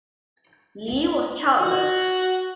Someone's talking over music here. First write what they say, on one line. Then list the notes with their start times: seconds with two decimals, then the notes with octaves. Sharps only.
Li was childless.
1.59 F#4 F#5